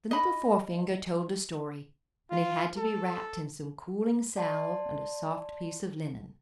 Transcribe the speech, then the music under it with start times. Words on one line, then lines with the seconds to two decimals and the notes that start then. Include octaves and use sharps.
The little forefinger told the story, and it had to be wrapped in some cooling salve and a soft piece of linen.
0.11 D#5 B5
2.30 F4
2.77 A4
4.36 D5 A5 C6